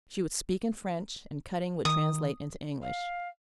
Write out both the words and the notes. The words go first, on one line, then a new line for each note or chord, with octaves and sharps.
She would speak in French, and Cutting would translate into English.
D#3 D#6
F5